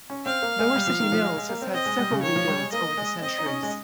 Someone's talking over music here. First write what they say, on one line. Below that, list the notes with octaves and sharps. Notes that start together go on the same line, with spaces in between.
Lower City Mills has had several rebuilds over the centuries.
C#4
C4 F5
A#3
G#3
G3
F3
D#3
F3
G#3
G#3
A#3
C4
C4 D#5
G#3
G3
C#3
D#3 C#5
F3
G3
G#3
A#3 D#5
G#3
C4 D#5
D#4
C#4
G#3